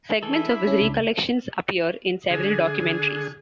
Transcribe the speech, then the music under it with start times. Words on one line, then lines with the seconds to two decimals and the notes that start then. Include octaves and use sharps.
Segments of his recollections appear in several documentaries.
0.23 E3 G#4 A4
0.35 E4
0.49 D4 B5
0.67 C#4
0.82 C#2
2.30 D3 G#4